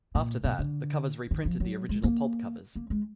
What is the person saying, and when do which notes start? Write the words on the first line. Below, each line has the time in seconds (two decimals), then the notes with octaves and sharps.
After that, the covers reprinted the original pulp covers.
0.15 A#2
0.44 B2
0.59 D3
1.31 D#3
1.45 F3
1.60 F#3
1.89 G#3
2.04 A#3
2.75 A#3
2.90 G#3